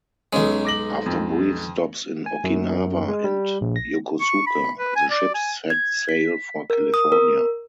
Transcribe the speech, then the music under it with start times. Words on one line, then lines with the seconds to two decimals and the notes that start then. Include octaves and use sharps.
After brief stops in Okinawa and Yokosuka the ships set sail for California.
0.33 B1 G#3 C#4
0.65 D6 A#6 F#7
1.06 F2
2.26 G#5
2.44 F#2
3.08 G#3
3.24 G3
3.61 A#1
3.76 A#6
4.21 C#6
4.47 B5
4.79 B4
4.96 G#5
5.11 D5
5.34 G#5
5.70 G#6
6.09 B6
6.70 A#4
6.94 D#6
7.12 A#4